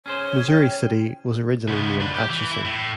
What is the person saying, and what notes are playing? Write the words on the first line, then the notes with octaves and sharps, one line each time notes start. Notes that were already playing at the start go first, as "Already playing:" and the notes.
Missouri City was originally named Atchison.
C#4 G#4 C5 C#5
G5
C#2 B3
D4 B4
G4
E3
E4
A2